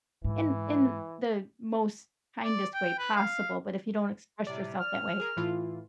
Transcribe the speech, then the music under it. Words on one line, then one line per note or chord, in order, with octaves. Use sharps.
in in the most kindest way possible, but if you don't express yourself that way,
G#2 E3
D5
G5
B4
F5
A2 C3 G3 D5
F6
G#4 A#4
A2 E3 F4